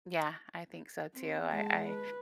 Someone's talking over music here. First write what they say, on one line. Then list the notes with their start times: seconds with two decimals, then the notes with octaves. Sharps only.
Yeah, I think so too. I I
1.14 C4
1.52 G#3 A5
1.88 B4